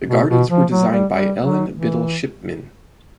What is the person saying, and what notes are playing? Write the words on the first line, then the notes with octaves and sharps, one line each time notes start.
The gardens were designed by Ellen Biddle Shipman.
B2
B2
F3
F#3
G3
G3
F#3
E3